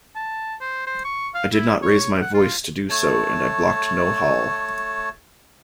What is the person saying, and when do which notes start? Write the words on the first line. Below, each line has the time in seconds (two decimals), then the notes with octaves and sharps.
I did not raise my voice to do so and I blocked no hall.
0.15 A5
0.61 C5
0.87 C5
1.04 C#6
1.34 F5
1.53 E4
1.82 C#5
2.21 F#5
2.34 F4
2.90 A3 C#5 A5